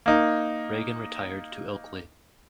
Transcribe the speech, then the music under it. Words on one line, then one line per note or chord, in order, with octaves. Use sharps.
Regan retired to Ilkley.
A#3 D#4